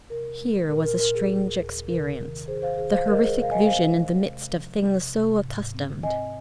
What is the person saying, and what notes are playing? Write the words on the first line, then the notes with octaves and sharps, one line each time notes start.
Here was a strange experience--the horrific vision in the midst of things so accustomed.
C3 A#4
G#3
A#2 A#4
A#4
A#2 A#4
G#4
D#2
D#2
C3 A#4
D#3
D#3 G#4 C5
C5 F5
D#3 G#4 C5
C5 F5
G#3 A#4 D#5
G#4 C5
C3
F5
D#5 G#5
C4 C5 F5
G#3
C3
F3
C3
C3
G#2
C4
C4 D#5 G#5